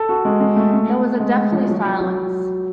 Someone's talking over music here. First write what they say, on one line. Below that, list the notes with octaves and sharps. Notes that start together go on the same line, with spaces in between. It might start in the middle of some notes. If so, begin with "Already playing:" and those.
There was a deathly silence.
Already playing: A4
F#4
G#3
G#3
A3
A3
G#3
F3
F#3
F#3
F#3